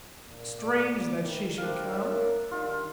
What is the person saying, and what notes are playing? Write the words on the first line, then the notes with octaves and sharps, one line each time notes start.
Strange that she should come!
A#2
D5
D#3 E3
A#3 C4 D4 E4 A#4 F5
A#4 C#5 E5 A5
D#3 G3 D4 F4